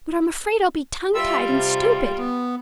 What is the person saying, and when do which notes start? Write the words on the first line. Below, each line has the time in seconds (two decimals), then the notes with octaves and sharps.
But I'm afraid I'll be tongue-tied and stupid.
1.15 G3 F4 E5 E6
1.48 C3
2.18 B3